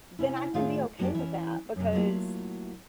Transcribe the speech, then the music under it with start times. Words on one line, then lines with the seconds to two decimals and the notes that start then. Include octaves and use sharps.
then I can be okay with that because,
0.19 C3 C#4 E4
0.54 A2 D#3 A3 F4 G#4 F5
0.99 F#2 F#3 A#3 C4 D4 G4
1.15 E3 C#4
1.76 F#2 C3
1.93 F#3 A3 A#3 E4 F4